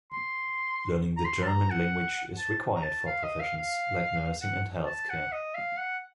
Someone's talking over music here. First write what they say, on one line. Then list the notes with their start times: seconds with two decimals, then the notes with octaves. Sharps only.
Learning the German language is required for professions like nursing and healthcare.
0.12 C6
1.17 A#5
1.25 C6
1.42 A5
1.47 A#5
1.70 F#5
2.38 A5
2.75 A#5
2.83 A5
3.06 F5
3.23 D#5
3.40 F5
3.57 F5
4.41 F#5
4.86 A5
5.09 F#5
5.32 D#5
5.54 F5
5.77 F#5